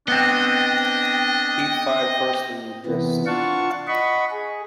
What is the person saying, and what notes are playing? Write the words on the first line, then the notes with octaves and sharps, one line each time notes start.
Heath fired first and missed.
B3 C4 D4 D#5 G5
C3 E3 B3
D4 F4 F5 F#5 A5 C#6
D#5 F#5 B5 C#6
G#4